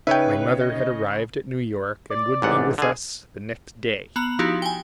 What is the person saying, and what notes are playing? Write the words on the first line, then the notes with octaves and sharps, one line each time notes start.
My mother had arrived at New York, and would be with us the next day.
C#3 D#4 B4 C#5 E5 G5
D#5
D5
A1 G#2 F#5
D3 G#4
B3 A#5 F#7
F3 D#4 E4 F#4 G4
G5 G#5